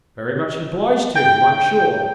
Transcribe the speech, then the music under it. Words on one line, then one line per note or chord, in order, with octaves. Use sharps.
'Very much obliged to him, I'm sure.
G5